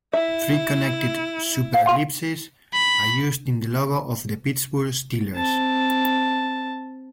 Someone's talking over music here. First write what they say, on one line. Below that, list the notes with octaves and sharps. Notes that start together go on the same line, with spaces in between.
Three connected superellipses are used in the logo of the Pittsburgh Steelers.
E4 E5
B5
C4 A5